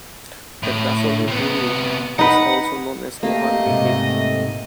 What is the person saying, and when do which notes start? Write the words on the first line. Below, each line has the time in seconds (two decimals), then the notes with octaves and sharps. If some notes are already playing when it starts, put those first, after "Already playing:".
The Kasauli brewery is also known as Mohan Meakin.
0.63 A2
1.28 C3 B3
2.19 D#4 B4 F#5
3.23 A3 A#3 G4 D#5
3.65 G#2 C3